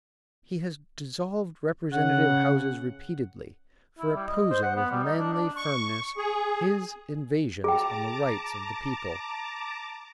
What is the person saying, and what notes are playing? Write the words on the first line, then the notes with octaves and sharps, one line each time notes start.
He has dissolved Representative Houses repeatedly, for opposing with manly firmness his invasions on the rights of the people.
C#3 F#5
E4
G3
D#5
C5
F#5
B3
G3
D#4
D4
D4
C#6
G#4
G#4 G5 A5 A#5 D6